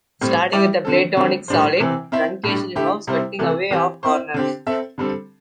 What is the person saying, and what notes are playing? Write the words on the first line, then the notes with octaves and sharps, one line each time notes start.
Starting with a Platonic solid, truncation involves cutting away of corners.
A2 G3 C4
G3 E4 G4 D5
D3 C4 A4
D3 G3 C4 G4
A2 G3 D4 C5
C3 E3 C4
C4 E4 C5 E5
A2 G3 D4
D3 A3 E4 G4
C3 G3 E4 C5
C3 E3 A3
E3 C4 G4
C4 E4 C5
D3 C4 G4
C4 A4 E5
D3 G3 C4 A4